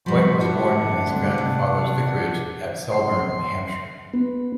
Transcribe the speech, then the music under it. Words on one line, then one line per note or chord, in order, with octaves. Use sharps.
White was born in his grandfather's vicarage at Selborne in Hampshire.
F3 G3 F#4 C5 B5
D4 E4 F#4 G4 F#5
D2 C3 G3
C3
C6
B3